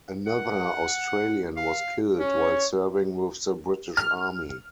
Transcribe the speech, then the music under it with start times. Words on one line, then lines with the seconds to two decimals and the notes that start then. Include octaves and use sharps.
Another Australian was killed while serving with the British Army.
0.26 F#5
1.57 F5
2.20 C#4 C#5
3.97 F6